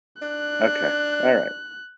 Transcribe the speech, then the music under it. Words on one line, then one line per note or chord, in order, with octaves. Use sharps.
Okay. Alright.
D4 F#6